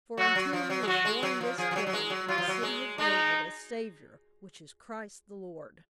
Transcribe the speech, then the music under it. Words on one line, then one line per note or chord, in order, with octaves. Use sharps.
"For unto you is born this day, in the city of David, a Savior, which is Christ the Lord!"
F#3 F#4
F#3
F3
F#3
G#3
F#3 F#4
G#3
F#3
F3
F3 G#4
F3
F#3
F#3
G#3
F#3
F#3 F4
F3
F#3
G#3
G#3 D#4